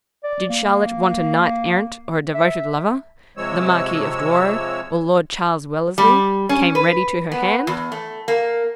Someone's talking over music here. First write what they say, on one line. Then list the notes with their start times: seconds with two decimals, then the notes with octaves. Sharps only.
Did Charlotte want a knight-errant, or a devoted lover, the Marquis of Douro, or Lord Charles Wellesley, came ready to her hand.
0.24 D5
0.49 A#3
2.35 E5
3.37 C3 F3 G#3 C#5 E6
5.98 G3
6.49 C#4
6.75 B4
7.32 B3
7.67 E2
7.92 A3
8.28 A#3